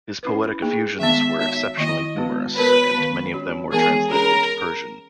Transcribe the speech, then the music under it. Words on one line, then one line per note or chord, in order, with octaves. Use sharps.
His poetic effusions were exceptionally numerous, and many of them were translated into Persian.
C#4 E4 B4
A#3 D#4 G#4
D#3 G#3 B3 E5
B3 D#4 F#4 C#5 E5
D#3 A#3 E4 D#5
G#3 B3 F#4 B4
B3 F#4 A#4 B4 C#5
D#3 G#3 B3
C#4 F#4 C#5
E3 G#3 B3 D#4 G#4 A#4
C#4 G#4 A#4 C#5